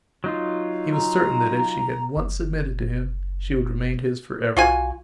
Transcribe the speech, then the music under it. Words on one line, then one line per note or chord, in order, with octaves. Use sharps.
He was certain that if she had once submitted to him she would remain his for ever.
F#3 D#4 F4
A#5
F#1
B1 F4 F#4 G#5